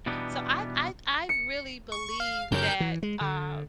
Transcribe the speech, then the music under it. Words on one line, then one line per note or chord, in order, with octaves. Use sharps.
So I I I really believe that, uh,
B2 E3 G3 B3 D4 D#4
C#7
C#6
F5
F#2 C#3 G4 A#4 G6
E3
G#3
D3